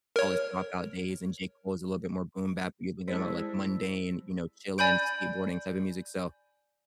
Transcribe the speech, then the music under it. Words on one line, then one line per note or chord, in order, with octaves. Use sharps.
college dropout days. And J. Cole is a little bit more boom bap, but you're thinking about like mundane, you know, chilling, skateboarding type of music, so
A#4 C#5
G3 G#3 C4 E4 A4 B6
D5 G#5 B5 G6 D7